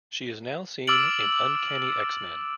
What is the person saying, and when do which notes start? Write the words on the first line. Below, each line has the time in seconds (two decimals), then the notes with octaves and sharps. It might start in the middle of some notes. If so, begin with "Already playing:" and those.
She is now seen in Uncanny X-Men.
0.87 D6 E6 F6 A6 D7 F#7